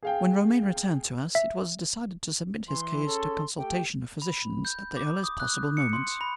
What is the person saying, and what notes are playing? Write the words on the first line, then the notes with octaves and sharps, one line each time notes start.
When Romayne returned to us, it was decided to submit his case to a consultation of physicians at the earliest possible moment.
G#4 F5 G5
E5
E3 C6
C#4 G#4 A4
A3 G4 G5
B5
G6
D6
D#6
F#6
C#7
C6
B5